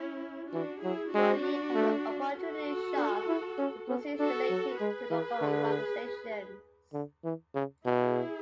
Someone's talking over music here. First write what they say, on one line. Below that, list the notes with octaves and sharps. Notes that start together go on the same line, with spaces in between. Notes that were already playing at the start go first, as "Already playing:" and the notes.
Bunyip has an "opportunity shop", with proceeds donated to local organisations.
Already playing: C#4 E4
E3 D4 F#4
F#3 E4 G#4
G#3 D4 F#4
A3
F#4 A4
D4
E4
C#4
B3
D4 F#4 A4
F#3
G#3 G#4 B4
E3
D3
D3
E3
C#3
B2 E4 G#4